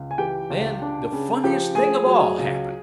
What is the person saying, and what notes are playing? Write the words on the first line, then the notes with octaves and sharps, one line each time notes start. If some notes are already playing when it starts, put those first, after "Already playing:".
Then the funniest thing of all happened.
Already playing: C#2
G#5
E3 G4 G5
C#2
D4
C#3
F3 G4 G5
A3 G#4 G#5
F#3
C#2